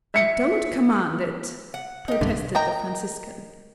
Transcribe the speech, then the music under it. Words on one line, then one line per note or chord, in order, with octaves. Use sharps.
"I don't command it!" protested the Franciscan.
E5 C#7
F#5
D#4 G4
B1 G2 D3 A3
A#4 D#5 G5 A#5